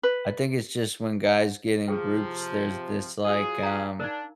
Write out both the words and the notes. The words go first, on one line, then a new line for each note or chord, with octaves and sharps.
I think it's just when guys get in groups, there's this, like, um,
B4
C3 F3 G#4 G5
F#3 F4 G#4
F5 G#5 A#5
D4 D#4 A#4